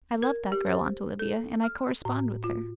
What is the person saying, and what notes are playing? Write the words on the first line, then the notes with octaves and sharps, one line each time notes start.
I loved that girl, Aunt Olivia, and I correspond with her.
A#4
G4
C5
A4
F6
A2
F4